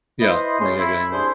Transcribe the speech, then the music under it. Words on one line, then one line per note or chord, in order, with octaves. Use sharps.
Yeah. Yeah, yeah, yeah, yeah.
E4 B4 C5 D#5
C#3 C6
E4
C2 D4 G#4 A4 C5